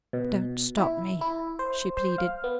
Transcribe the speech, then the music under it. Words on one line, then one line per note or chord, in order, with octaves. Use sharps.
"Don't stop me," she pleaded.
B2
E4
E4
C5
C5
F5
B3